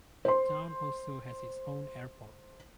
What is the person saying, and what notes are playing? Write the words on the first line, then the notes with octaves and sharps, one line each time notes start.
The town also has its own airport.
C5 C6